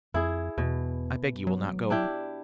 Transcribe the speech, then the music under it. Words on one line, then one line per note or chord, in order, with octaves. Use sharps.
I beg you will not go.
F2 E4 G#4
E2 B2
F#3
D4 E4 G4